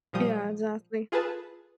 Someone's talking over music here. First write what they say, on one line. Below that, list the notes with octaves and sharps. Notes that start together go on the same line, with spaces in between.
Yeah, exactly.
A#2 F3 G3 D#6 G6
F4 G#4 A4 B4 A5